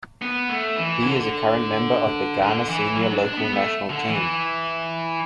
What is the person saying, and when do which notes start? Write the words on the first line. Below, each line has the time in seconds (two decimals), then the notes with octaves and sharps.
He is a current Member of the Ghana Senior Local National Team.
0.22 B3
0.49 A3
0.76 E3
1.04 D3
2.42 D3
2.69 E3
2.97 F#3
3.11 D4
3.25 D4
3.38 B3
3.52 A3
3.90 D3
4.08 E3